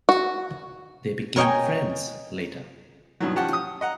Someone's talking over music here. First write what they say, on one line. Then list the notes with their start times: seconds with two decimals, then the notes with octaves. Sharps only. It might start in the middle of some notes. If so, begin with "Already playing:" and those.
They became friends later.
0.09 F#4
1.36 A#4 C#5 D#5 G5 G#5
3.20 G2 B2 D#3 E3 F#3
3.36 F3 C#4 G4 F#5 A5
3.53 D#6
3.81 D#5 F#5 A#5